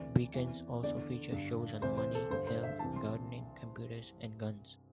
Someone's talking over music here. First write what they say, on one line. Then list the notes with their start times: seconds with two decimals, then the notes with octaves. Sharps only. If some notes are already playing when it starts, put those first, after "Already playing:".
Weekends also feature shows on money, health, gardening, computers and guns.
Already playing: D2 C3 E3 D5
0.34 E2 C3 E3
0.83 E2 D3 D5
1.32 G2 D3
1.82 C2 C3 E3 C5
1.98 C5
2.15 A4
2.30 G2 D3 C5
2.47 C5
2.63 E5
2.79 C2 C3 E3 A5
2.96 C6